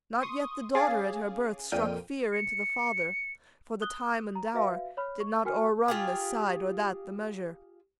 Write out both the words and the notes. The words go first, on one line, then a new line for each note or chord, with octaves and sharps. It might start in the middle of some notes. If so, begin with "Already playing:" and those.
Not yet the daughter at her birth struck fear Into the father, for the time and dower Did not o'errun this side or that the measure.
C6 C#6 D#6
C#4 G#4 F5 D6 A6
A#1 F2 A#2 G5 F6 D#7
C#7
D#6 F#6 G7
A#5
F#4 B4 E5 F5
C#5 B5 F6
C#6
F#4 A#4 G5 G#5 F6
F4 G4 G#4